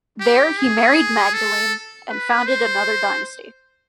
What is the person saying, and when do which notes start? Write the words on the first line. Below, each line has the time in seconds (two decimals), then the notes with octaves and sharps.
There he married Magdalene, and founded another dynasty.
0.20 G4
0.58 G#4
1.34 A4
2.09 B4
2.47 C5